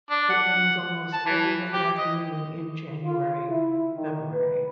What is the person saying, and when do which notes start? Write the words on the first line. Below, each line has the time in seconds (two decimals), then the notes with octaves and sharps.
It rains almost every late afternoon in January-February.
0.10 D4
0.30 F#5
1.13 A5
1.26 E3
1.73 G4
1.98 D#5
3.03 F4
3.48 E4
3.95 D#3
4.32 B4